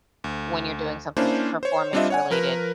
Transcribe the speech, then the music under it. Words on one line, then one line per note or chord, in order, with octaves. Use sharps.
when you're doing somethings performance-related.
D2
A#3 C#4 D4 E4 C5
C5 C#5
G3 C4 D4 F4 D#5 E5
C#5 F#5 G#5
F3 A#4 B4